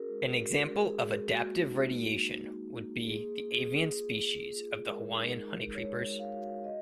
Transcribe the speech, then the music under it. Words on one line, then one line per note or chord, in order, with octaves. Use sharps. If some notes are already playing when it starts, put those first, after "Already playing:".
An example of adaptive radiation would be the avian species of the Hawaiian honeycreepers.
Already playing: C#4 F#4 G#4 A#4
G#3
F#4
G#3
G#4
G#3
A#3 F#4
D#4
A#3
D#4
F#4
A#3
A#3 G#4
F4
G#4
A#3
F4
F4
F4
G#3 A#4
D#4
G#3
G#3 C#5
F#4
F5
F#4
F#4 D#5